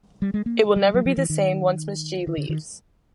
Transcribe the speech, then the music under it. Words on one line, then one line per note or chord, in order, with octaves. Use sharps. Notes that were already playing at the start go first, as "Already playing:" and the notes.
It will never be the same once Ms. G leaves.
G3
G#3
A#3
G3
F#3
F3
E3
D#3
D#3
D3
D#3